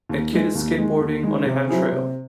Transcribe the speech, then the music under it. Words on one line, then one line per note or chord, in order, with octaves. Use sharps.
A kid is skateboarding on a handrail.
D#2
D#3 G#3
D#2
D#3 G#3
D#2
D#3 G#3
C3
F#3 C4 E4 G#4
C3